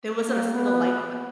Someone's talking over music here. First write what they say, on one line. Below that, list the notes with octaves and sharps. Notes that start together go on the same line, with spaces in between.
There wasn't a single light on.
A#3
B3